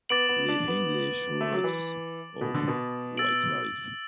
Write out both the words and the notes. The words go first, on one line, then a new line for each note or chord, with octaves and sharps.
"The English Works of Wyclif".
B3 D6 A6 D7 F#7
B3
D4
B3
A3
F#3
E3
B2
D3
B2
E6 A6 D7 F#7